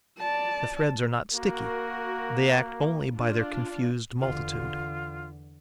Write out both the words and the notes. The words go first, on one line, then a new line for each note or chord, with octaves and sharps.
The threads are not sticky; they act only by their confused multitude.
D5 A5
A#3 F#4 A#4
D4 F4
E2 D3 F4